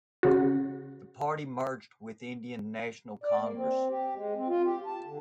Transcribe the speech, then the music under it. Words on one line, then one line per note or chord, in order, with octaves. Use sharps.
The party merged with Indian National Congress.
C#3 F#4
D5
A#3
C4
G4
G#3
C4
F4
G4
A5
D3